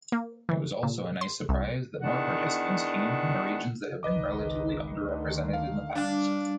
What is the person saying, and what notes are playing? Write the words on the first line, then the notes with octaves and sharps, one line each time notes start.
It was also a nice surprise that more participants came from the regions that have been relatively under-represented in the past.
A#3
E3
A#2
C6
C2
E2 D#3 D4 F#5
G#1 C#2 D#3 B4 D#5 D6
D2 D3 D#3
F5
G3 D4